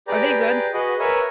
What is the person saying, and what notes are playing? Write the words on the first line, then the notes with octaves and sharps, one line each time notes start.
Are they good?
G4 G#4 B4 D5 G5 A#5
F#4 G#4 B4 D#5
A#4 B4 C#5 E5 G#5